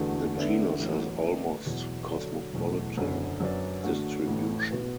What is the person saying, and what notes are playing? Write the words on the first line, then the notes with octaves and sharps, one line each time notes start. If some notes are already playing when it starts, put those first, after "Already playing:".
The genus has almost cosmopolitan distribution.
Already playing: E2 D3 A3 F#4 B4
D3 B3 D4 B4 E5
A1 A2 F#3
D3 A3 D4 B4 E5
E2 B2 F#3
D3 F#3 D4 F#4 A4
F#1 E2 B2 A3
F#1 F#2 D3
F#2 F#3 D4 B4 D5
D3 A3 F#4
A1 A2 E3 A3
B2 B3 F#4 B4